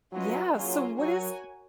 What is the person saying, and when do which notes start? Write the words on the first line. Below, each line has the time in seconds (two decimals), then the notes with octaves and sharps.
yeah, so what is
0.13 F#3 C#4 F4 B4 D#5
0.55 F#3 A#3 C#4 F4 G#4
0.99 F#3 F#4 A#4 C#5 G#5